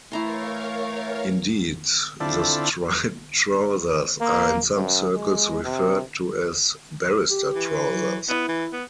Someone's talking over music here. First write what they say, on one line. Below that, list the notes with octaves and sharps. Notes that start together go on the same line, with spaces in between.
Indeed, the striped trousers are in some circles referred to as "barrister trousers".
E3 A3 E4 A#4 C#5 F5 A#5 C6
D3 C4 E4 F4 A4 D5
A#3
F#2
G#3
C3
G4
E3
F#3
B3 E4
E3
B3